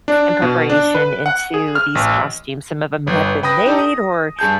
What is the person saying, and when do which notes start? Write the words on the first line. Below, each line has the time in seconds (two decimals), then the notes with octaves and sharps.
and preparation into these costumes, some of them have been made, or
0.08 D4
0.42 B2
0.70 D4
0.95 B4
1.26 F#5
1.54 G#4
1.75 F6
1.95 A1
3.07 G1 B4
3.43 B4 G5 B5 D#6 A#6
3.66 D#4 G4 A4
3.79 D#6
4.39 G2 G#4 A5 G6